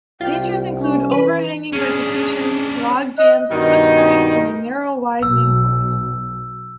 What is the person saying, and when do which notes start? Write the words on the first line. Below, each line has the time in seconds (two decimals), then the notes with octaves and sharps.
Dangers include overhanging vegetation, logjams, swift current, and a narrow winding course.
0.21 C2 F4 G5
0.77 C#4
1.12 E3 B4
1.72 C#4 D4 G#4
3.18 D#5 F#6
3.50 G2 B2 D#3 D#4
5.23 B1 B2 E6